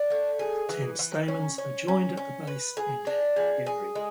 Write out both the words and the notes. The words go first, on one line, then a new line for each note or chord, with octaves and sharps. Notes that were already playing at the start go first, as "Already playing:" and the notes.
The ten stamens are joined at the base and hairy.
Already playing: D4
A3
G#4
E3
E3
C#4
C#4
C#4
C#4
B4
G#4
D4
G#4
G#4
G#3